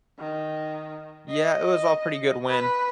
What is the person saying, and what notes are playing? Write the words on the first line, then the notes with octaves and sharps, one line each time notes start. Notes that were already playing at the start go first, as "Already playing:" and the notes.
Yeah, it was all pretty good when
D#3
D#5
B4